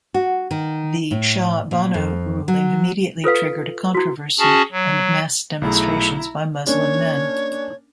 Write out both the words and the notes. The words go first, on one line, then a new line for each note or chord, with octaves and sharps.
The Shah Bano ruling immediately triggered a controversy and mass demonstrations by Muslim men.
F#4
D#3
A2
A#2
F2
F#3
F4 A4 B4 F5
E4 F#4
C#4 F#4 G#4 A5
F#3
B1 A3 E4 G#4 A#5
A#3 C#4 D4 C#5